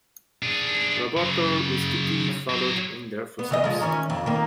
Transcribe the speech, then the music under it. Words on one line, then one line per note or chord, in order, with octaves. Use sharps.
Roberto Ruscitti followed in their footsteps.
D4 G#4
C#3 F#3
F#3 C5
B3
C#3 E3 D#5
F3 G#3
D#3 E3 C#4
F2
D#3 A#3